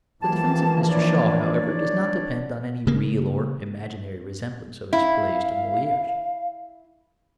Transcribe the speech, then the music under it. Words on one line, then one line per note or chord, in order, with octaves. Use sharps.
The defence of Mr. Shaw, however, does not depend on any real or imaginary resemblance of his plays to Moliere's.
E3 F3 A#3 G4 G#4 A5
D4 C#5 D5
C#3 A#3
E4 F5